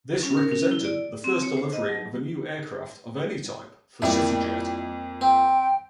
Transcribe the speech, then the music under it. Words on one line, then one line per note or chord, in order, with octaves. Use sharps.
This represented the first delivery of a new aircraft, of any type, for CityJet.
C#4
A#4
C#4
E4
D5
C4
C#5
C5
D#5
F#3
F2 G3 A#3 E4
C4 G5